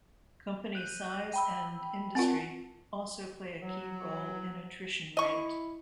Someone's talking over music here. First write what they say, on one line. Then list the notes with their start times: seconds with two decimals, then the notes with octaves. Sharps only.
Company size and industry also play a key role in attrition rate.
0.75 F#6 G6 D#7
1.33 G5 B5 E6
2.15 C4 F4 A#4 F#5 A5
3.61 F#3
5.17 E4 D#5 C#6